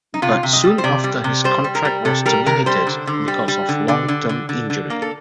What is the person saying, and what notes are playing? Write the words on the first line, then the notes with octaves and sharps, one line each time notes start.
But soon after his contract was terminated because of long term injury.
D#4
C3 F4
C3
D#5
G3
C5
C3 D5
G3
C3
G3 C5
G3
A#4
G3
C3 A4
G3 A#4
C3 A#4
G3 C5
D3
D3
G3
G3
D3
D3 D5
D3
D3
D3
D3
A#3
A4